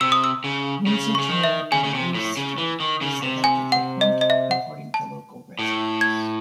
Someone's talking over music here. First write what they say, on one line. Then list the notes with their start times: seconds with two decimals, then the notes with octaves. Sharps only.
One such home, on Louis Street, is allegedly "haunted," according to local residents.
0.01 C3 E6
0.12 D#6
0.24 E6
0.44 C#3
0.87 C#3
1.15 C#3 C#6
1.29 D#3
1.44 E5
1.72 C#3 G#5
1.84 C#3
1.94 C3
2.15 A2
2.37 C#3
2.58 E3
2.80 D#3
3.01 C#3
3.22 C3
3.44 G#5
3.72 F#5
4.01 D#5
4.21 D#5
4.30 E5
4.51 F#5
4.94 A5
5.59 A2
6.01 G#6